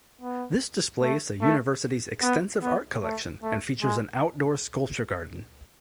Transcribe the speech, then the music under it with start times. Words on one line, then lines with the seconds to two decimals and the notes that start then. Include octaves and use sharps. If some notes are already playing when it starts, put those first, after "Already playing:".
This displays the University's extensive art collection, and features an outdoor sculpture garden.
0.21 B3
1.01 A3
1.41 A3
2.22 B3
2.62 B3
3.03 A3
3.43 A3
3.82 G#3